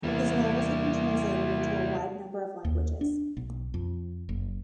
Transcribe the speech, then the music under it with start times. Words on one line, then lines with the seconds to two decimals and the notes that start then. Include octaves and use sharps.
His novels have been translated into a wide number of languages.
0.03 E2 E3 G3 A#3 E4
2.65 D#2
3.01 D4
3.37 B1
3.74 F2
4.29 F#1